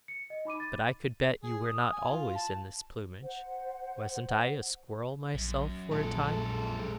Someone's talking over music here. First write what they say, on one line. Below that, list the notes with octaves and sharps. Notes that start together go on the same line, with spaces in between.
But I could bet you were not always in this plumage--wasn't I a squirrel myself for a time?'
C#7
D#5
D#4 B5 D6 D#7
A6
G#4
D#6
G#5
F4
A5
C5 F#5
A#1 F#2
A#1 F2 A#2 G#3 A4